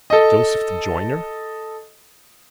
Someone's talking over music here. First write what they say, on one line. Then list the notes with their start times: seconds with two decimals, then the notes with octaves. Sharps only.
Joseph the Joiner?
0.10 A4 D#5